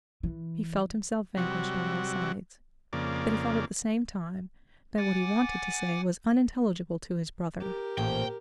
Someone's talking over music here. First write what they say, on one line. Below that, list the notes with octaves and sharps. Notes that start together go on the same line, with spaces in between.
He felt himself vanquished on all sides, but he felt at the same time that what he wanted to say was unintelligible to his brother.
E3
C3 F#3 G3 F#4
F2 C#3 A#3 D5
F#5 G#5 D6 A6
G4 A#4
A1 A#2 F3 A3 G5